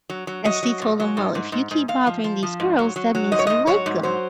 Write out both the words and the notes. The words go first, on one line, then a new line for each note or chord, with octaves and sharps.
and she told him, "Well, if you keep bothering these girls, that means you like 'em."
F#3
F#3
F#3 D#5
F#3
A#2
F#3
G#2
G#2
G#2
G#2
G#2 F5
F3
F3
F3
G#2
F#3
F#3
F#3
G#2 D#5
C#5
G#2 D#5
F#3 C#5
G#2
F#3 C5